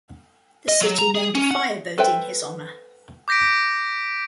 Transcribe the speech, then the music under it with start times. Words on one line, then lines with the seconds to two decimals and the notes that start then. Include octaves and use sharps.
The city named a fireboat in his honor.
0.68 D#5
0.80 F#3
0.98 A#5
1.15 G#4
1.35 C#4
1.51 F#5
1.98 A4 B4 C5 E5 G5
3.28 D6 G6 A#6 B6 D7